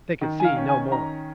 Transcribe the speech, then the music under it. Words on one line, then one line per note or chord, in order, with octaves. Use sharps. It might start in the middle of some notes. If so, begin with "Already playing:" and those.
They could see no more.
D#3
G#5
F5
C#4
G#5
D#3 A#5